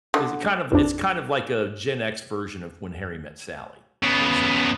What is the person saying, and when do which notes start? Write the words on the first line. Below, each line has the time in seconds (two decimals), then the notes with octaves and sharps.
is it kind of it's kind of like a Gen X version of When Harry Met Sally, basically.
0.14 D3
0.72 A1 F2 D4
4.03 C#3 B3